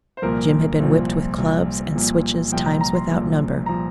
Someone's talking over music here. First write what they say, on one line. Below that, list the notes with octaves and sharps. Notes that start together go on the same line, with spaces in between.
Jim had been whipped with clubs and switches times without number.
C5
C2 A#2 F3 A#4
C2 A#2 F3
C2 A#2 F3
C2 A#2 F3
C2 A#2 F3 G5
A#5
A#5
C6
C2 A#2 F3
A#2 F3 A#5